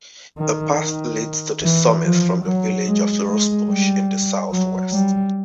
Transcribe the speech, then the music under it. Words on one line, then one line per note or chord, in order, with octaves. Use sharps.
A path leads to the summit from the village of Rosebush in the south-west.
D#3
D#3
E3
F3
F#3
G#3
G#3
G3
F#3
G3